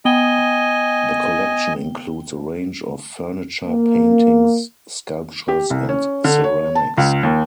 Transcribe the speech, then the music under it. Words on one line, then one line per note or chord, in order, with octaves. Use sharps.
The collection includes a range of furniture, paintings, sculptures and ceramics.
B3 D#5 G5 G#5 G7
A#3
G4
C2
C#4
D3
C#5
A5
C#2
D#2